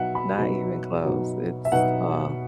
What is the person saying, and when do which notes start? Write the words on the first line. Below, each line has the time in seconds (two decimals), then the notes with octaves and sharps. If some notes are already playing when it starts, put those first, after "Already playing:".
not even close. It's, uh
Already playing: B2 F#3 B3 D#4 E5 F#5
0.15 B5
0.37 B2 F#3 B3 D#4
1.05 B2 F#3 B3 D#4
1.65 E5
1.72 B2 F#3 B3 D#4 F#5